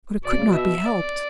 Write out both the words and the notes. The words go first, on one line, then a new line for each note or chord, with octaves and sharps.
But it could not be helped.
B2 D5
C#3
B2
E5
D5